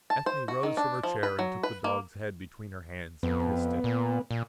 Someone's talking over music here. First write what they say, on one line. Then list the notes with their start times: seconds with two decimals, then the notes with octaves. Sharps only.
Ethne rose from her chair and took the dog's head between her hands and kissed it.
0.10 A5
0.26 C5
0.48 F#4
0.63 D#3
0.77 D4
1.03 F3
1.23 B4
1.39 F#3
1.63 B4
1.84 A#3
3.23 F2 B3
3.84 A#2
4.31 A#2